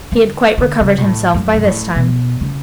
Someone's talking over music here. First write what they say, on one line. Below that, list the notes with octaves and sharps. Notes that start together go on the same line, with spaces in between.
He had quite recovered himself by this time.
D3
D3
C#3
B2
A2
F#2
B2
A2
B2
C#3